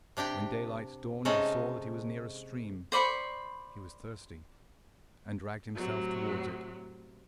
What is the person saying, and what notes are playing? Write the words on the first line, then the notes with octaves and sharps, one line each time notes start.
When daylight dawned he saw that he was near a stream; he was thirsty, and dragged himself towards it.
C3 D4 G4 G5
C3 G#3 C#4 D#4 A4
C5 D5 B5 C#6
A2 C3 F#3